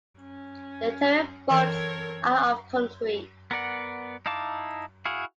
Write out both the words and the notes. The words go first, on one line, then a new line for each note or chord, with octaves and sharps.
The interior vaults are of concrete.
C#4
E3 C4 A4 A#4 C#5
B3 A#4 D5 F#5
D#4 E4 F5 A5 D6
E4 F#4 G#4 F5